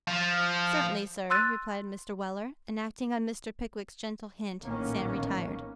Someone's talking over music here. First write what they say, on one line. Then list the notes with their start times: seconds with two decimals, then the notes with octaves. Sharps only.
'Cert'nly, sir,' replied Mr. Weller; and acting on Mr. Pickwick's gentle hint, Sam retired.
0.07 F3
1.30 C6 E6 F#6 A6 D#7
4.62 A#1 A2 D#3 A#3 B3 C#4